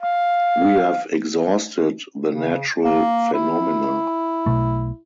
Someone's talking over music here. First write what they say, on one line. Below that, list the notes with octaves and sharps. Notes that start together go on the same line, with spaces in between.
We have exhausted the natural phenomena.
F5
C#3
A#3
E4
B1 B2 A3